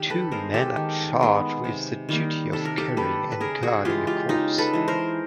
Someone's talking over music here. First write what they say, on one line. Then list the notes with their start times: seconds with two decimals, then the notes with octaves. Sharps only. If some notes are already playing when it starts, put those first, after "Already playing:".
Two men are charged with the duty of carrying and guarding a corpse.
Already playing: D#3 G4
0.10 A4 B4
0.32 G#3 B3 A#4 C5
0.54 G4 A4
0.76 D#3
1.20 G#3 B3
1.64 C3
2.09 D#3 G3 A#3
2.53 C3 A4
2.65 A#4
2.78 G4 A4
2.97 D#3 G3 A#3 A4 B4
3.32 B4
3.40 C#3 G#4 A#4
3.63 F#4 G#4
3.85 E3 G#3 F4 G4
4.07 F4 G4
4.29 C#3 D#4 F4
4.58 A4 B4
4.73 E3 G#3
4.88 A#4 C5